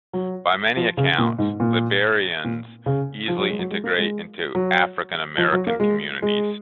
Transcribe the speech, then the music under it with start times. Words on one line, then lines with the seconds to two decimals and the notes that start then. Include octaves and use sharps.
By many accounts, Liberians easily integrate into African-American communities.
0.13 F#3
0.77 F3
0.97 C#3
1.18 A#2
1.39 G#2
1.60 A#2
2.45 A#2
2.86 C#3
3.28 F3
3.38 F#3
3.50 G#3
3.59 F#3
3.71 G#3
3.84 A#3
3.98 G#3
4.55 F#3
5.38 F3
5.52 F#3
5.67 A#3
5.80 G#3
6.22 G#3